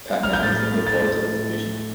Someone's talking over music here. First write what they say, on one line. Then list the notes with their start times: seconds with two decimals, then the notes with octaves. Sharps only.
Patna is the headquarters of the division.
0.23 F6
0.33 G6
0.43 A2 A6
0.72 A2
0.87 A6
1.01 A2